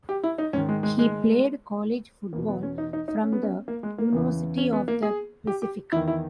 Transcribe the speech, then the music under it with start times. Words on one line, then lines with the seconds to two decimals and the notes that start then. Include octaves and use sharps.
He played college football from the University of the Pacific.
0.09 G4
0.23 E4
0.38 D#4
0.53 G#2 D#3 C#4
0.69 G#3
0.83 G#3
0.99 G#3
2.33 E2 B2 A#3
2.48 B3
2.63 C#4
2.78 D#4
2.93 D#4
3.08 D#4
3.23 C#4
3.32 B3
3.43 C#4
3.68 A#3
3.83 G#3
3.98 A#3
4.13 E2 C#3 E3
4.58 C#4
4.73 B3
4.88 A#3
5.03 G#4
5.47 G4
5.62 G4
5.92 E2 D#3 E4
6.08 E4